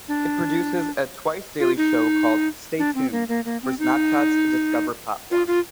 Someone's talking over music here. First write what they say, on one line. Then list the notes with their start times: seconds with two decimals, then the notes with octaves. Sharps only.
It produces a twice-daily show called "Stay Tuned" for Snapchat's Discover platform.
0.08 D4
1.60 F4
1.77 D#4
2.79 D4
2.95 C4
3.12 A#3
3.29 A#3
3.45 A#3
3.63 C4
3.79 D#4
5.31 F4
5.47 F4